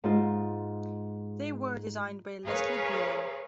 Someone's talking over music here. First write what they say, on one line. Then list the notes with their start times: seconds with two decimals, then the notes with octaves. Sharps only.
They were designed by Leslie Green.
0.04 G#2 F4
2.45 G#4 A#4 B4 C#5 F5